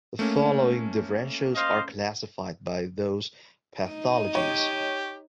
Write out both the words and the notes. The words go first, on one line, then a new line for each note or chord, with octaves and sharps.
The following differentials are classified by those pathologies.
A3 A#3 C#4
C5 D#5 F5
D#4 D#5
G4 C#5